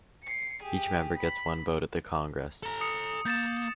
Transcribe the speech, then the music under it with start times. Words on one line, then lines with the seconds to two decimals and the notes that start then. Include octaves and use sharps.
Each member gets one vote at the Congress.
0.23 C7 C#7
0.62 G4 G#4
1.16 B5
2.63 A4 A#5
2.81 D#6 C#7
3.25 A#3 G6 A6 E7